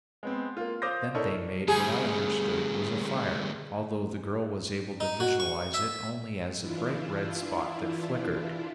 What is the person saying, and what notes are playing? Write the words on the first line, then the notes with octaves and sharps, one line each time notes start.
Then they made what I understood was a fire, although the girl was able to visualize it only as a bright red spot that flickered.
G#3 B3 C4
A#3 F4
C5 F5 D6 D#6 G6 A#6
D4 E4 A4 A#4 C#5 D#5
D2 G3 G#4
D#4
F#4
C#6
E5
E3 D4 E4 F4